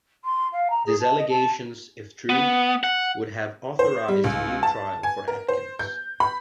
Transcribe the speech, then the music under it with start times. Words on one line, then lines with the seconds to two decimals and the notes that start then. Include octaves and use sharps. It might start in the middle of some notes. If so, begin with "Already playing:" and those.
These allegations, if true, would have authorized a new trial for Atkins.
0.24 C6
0.52 F5
0.70 A#5
0.86 G#4
1.00 A5
1.18 D#5
1.30 A5
2.29 B3
2.83 F#5
3.79 C5
4.08 G3
4.24 C#2
4.63 A5
5.03 G#5
5.28 A#4
5.48 C5
5.79 G6
6.20 B5